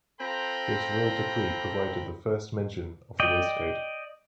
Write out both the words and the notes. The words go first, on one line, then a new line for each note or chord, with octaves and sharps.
This royal decree provided the first mention of the waistcoat.
C4 F4 A4 G5 A#5 B5
D5 D#5 G5